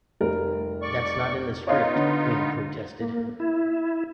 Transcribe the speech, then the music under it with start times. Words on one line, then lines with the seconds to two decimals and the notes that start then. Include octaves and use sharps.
'That's not in the script', Quinn protested.
0.21 F1 G3 A#4
0.82 D5 C#6
1.67 B3 D#4 F4 C#5 D#5 F5
1.96 D3
3.00 A#3
3.40 E4